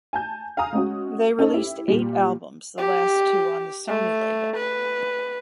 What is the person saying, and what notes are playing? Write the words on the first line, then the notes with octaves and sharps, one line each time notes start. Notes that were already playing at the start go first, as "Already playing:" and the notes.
They released eight albums, the last two on the Sony label.
G#5 A5 G6
F5 G#5 A#5 D#6
G#3 C#4 F#4
C#4 D#4 A4 C5
E4 G4
A#2 G3
G4
A3
B4